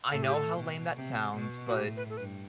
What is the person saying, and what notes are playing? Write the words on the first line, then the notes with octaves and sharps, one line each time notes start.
I know how lame that sounds, but
A2 A4
G4
A4
B2
C3
B2
F#4
A2 G4
B4
A4
G2 B4